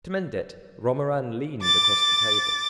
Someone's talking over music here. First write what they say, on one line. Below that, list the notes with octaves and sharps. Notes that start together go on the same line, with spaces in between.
To mend it, Romarin leaned across the table.
D6 A6